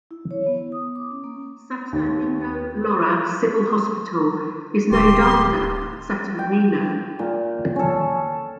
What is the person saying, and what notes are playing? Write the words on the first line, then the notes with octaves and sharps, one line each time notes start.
Saturnino Lora Civil Hospital is named after Saturnino.
E4
C#5
B3
D#6
D6
C#4
A#3
D#2
D1 G4 C6
G5
A#2
C#4 A4